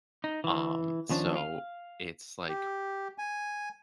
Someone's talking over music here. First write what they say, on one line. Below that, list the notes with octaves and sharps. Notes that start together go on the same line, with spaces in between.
Um, so it's like
D#4
E3
D#2 F3 C#4 D4
F5
G4
G#5